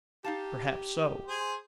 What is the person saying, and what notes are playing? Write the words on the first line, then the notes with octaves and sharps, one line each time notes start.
Perhaps so.
D#4 G4 F5 A5
G#4 C5